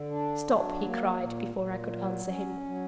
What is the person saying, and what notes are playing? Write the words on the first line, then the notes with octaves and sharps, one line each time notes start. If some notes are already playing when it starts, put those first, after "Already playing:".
"Stop!" he cried, before I could answer him.
Already playing: D3
D4
F#3
A#3
A#2
A#2
F#3
C#4
F#3